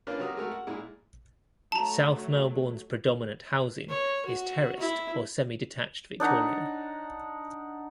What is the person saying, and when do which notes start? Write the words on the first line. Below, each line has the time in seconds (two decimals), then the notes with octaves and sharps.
South Melbourne's predominant housing is terraced or semi-detached Victorian.
0.07 A#3 C#4 D4 F4 A#4 B4
0.19 C3 F#3 F#4 A#4 D#6
0.37 G#3 A3 F#4 A#4
0.51 F#5
0.67 A#2 G#3 E4
1.72 F#3 A3 A5 A#5
3.89 C#5
4.26 F#4
4.80 E4
6.20 D4 D#4 F#5 A#5